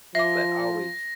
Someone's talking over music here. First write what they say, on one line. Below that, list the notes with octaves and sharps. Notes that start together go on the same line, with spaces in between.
So that always
F3 E5 D6 A#6